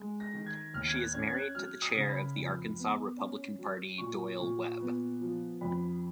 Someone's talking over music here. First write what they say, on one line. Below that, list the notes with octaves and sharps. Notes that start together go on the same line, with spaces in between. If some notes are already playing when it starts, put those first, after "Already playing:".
She is married to the Chair of the Arkansas Republican Party Doyle Webb.
Already playing: G#3
A#6
D#3
G#6
D#2 F6
G#6
F#6
C#4 G#6
G#6
F#6
F#3 F6
D#6
C#3
B5
F2
B3
C#4
F#3
A#2 C#6
A#2
B3
F3
F2 B5